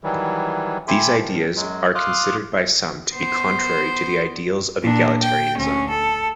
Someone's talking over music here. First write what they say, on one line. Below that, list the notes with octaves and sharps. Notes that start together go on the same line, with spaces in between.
These ideas are considered by some to be contrary to the ideals of egalitarianism.
D#3 E3 F#3 G3
E5 G5 G#5 B5 C6 D6
D#3 F3
F#2 F#3 G#3
F5 C6 D6 D#6 F6 F#6
B3 C5
A#2 D4
G5
D2 C#4
A4